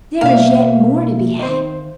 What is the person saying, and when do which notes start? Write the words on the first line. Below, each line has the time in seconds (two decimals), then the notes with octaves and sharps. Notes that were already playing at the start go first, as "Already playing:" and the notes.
"There is yet more to be had!"
0.21 B2 A#3 E5 F5
1.39 D#3 C5